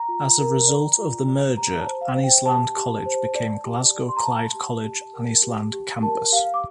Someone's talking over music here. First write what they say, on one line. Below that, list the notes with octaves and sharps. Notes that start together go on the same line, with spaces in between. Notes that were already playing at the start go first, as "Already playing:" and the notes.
As a result of the merger, Anniesland College became Glasgow Clyde College Anniesland Campus.
Already playing: A#5
F4
A#4
D5
F4
D5
G4 A#5
A5
C5
F5
C5
G5
G4 A5
G4
C5
D5
G4
D5
C6
A#5
D5 A5
G4
G4
A#4
G4
G4
A#4 A5
G4 F5
D6